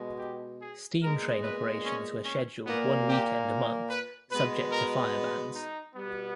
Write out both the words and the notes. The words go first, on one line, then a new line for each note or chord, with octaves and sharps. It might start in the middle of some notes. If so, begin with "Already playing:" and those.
Steam train operations were scheduled one weekend a month subject to fire bans.
Already playing: B2 G#3
G4
G#4
A#2 G#3 B3 A#4
B4
C#4
C#4
A#2 A#3 B3
G4
B4
B2 G#3 B3 B4
A#4
D#4
B2 G3 B3